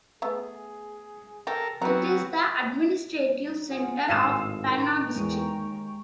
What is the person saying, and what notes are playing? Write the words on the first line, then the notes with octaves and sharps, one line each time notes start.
It is the administrative center of Panna District.
A3 B3 G#4
G4 A4 A#4
F#3 B3 C4 A#4 B4
F4 G#4 F#5
G#1 A2 F5 D#6 E6 D#7 E7
D#3 G5 A#5 C#6
E2 G#3 D#7
D#2